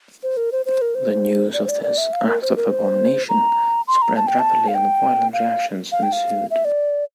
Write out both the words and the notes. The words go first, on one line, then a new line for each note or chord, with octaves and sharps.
The news of this "act of abomination" spread rapidly and violent reactions ensued.
C5
A#4
C5
C5
A#4
C5
D5
C5
D5
D5
E5
F5
A#4
C5
A#4
C5
A#5
C6
A#5
A5
G5
A5
F5
G5
F5
F5
G5
F5
E5
D5